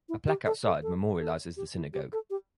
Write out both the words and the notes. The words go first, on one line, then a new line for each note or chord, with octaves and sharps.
A plaque outside memorializes the synagogue.
E4
G4
A4
A4
A4
A4
G4
E4
G4
A4
G4